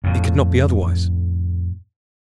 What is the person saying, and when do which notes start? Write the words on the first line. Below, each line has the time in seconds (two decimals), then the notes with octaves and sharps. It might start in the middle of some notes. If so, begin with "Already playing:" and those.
It could not be otherwise.
0.04 F2 A2